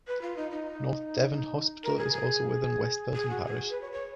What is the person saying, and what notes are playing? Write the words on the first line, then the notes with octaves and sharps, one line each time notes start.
North Devon Hospital is also within West Pilton parish.
B4
F4
D#4
D#4
A#4
G#4
G#4
G#4
F#4
G#4
B4
C#5
C#5